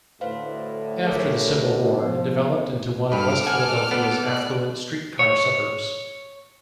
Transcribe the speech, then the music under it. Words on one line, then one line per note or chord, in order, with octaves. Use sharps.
After the Civil War, it developed into one of West Philadelphia's affluent streetcar suburbs.
D2 A2 B4 C5 F5
G#4 A#4 C#5
F3 B3
G2 A4 B4 D6 F6
F#5 G#5
B3
D5 F#6
C#5